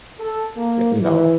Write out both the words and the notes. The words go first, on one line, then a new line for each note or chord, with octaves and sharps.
eh, you know?
A4
A#3
E3